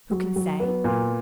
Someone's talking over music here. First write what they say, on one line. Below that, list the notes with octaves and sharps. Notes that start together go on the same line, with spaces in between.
Who can say?
F#3
F#3
B3
A#2